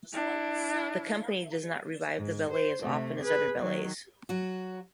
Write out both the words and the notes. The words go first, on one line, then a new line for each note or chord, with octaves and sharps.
The company does not revive the ballet as often as other ballets.
D4 E4
G#2
C5
C3 A3
G#4 B4
D#3 F#3
F#3 F#4